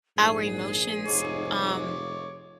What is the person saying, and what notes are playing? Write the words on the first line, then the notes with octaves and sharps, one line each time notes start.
our emotions, um,
A#1 G#2 G#4
F1 G#2 C#5 D6